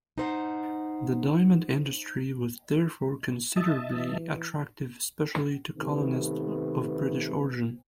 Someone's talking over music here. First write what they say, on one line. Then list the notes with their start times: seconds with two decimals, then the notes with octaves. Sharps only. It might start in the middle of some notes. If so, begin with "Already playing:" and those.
The diamond industry was therefore considerably attractive, especially to colonists of British origin.
0.18 D#4 C5 F#5
3.56 D#5 E5 A5
3.93 E3
5.78 C3 D#3 A3 B3 A4 B4